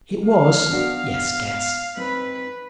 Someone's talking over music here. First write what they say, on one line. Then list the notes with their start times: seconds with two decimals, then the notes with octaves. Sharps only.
It was--yes, guess!
0.25 F5
0.68 B3 D4 F#4
1.97 C4 D#4 B4